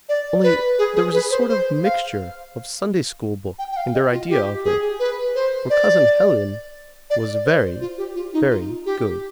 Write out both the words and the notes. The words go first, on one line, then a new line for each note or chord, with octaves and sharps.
Only there was a sort of mixture of Sunday-school book in their idea of her, for Cousin Helen was very, very good.
D5
B4
G#4
G#4
B4
C5
C5
F5
G5
G5
F5
D#5
F4
G4
G#4
B4
C5
D5
D5
D5
C5
F4
G4
F4
D#4
F4
G4